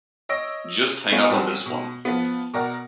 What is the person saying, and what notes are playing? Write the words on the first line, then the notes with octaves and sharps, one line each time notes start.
Just hang up on this one.
C#5 D#5 E6 A#6 D7
A3 B3 C#4 F4
A#2 G3 C4 C#4 F#4
B2
F3 B3
B2 A#4 D5 F#5 F6